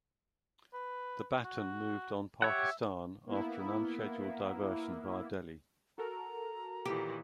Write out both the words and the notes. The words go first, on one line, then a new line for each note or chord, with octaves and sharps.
The Baton moved on Pakistan after an unscheduled diversion via Delhi.
B4
F#4
G4 C#5 E5 F#5
A#3 B3 E4
F#4 A4 A#4 A#5
A#2 D#3 E3 G4